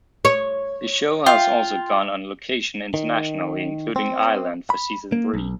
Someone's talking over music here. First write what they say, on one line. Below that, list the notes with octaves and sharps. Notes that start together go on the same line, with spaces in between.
The show has also gone on location internationally including Ireland for Season Thre.
C#5
F4 G5
D#3
C4
B5
A#3
B1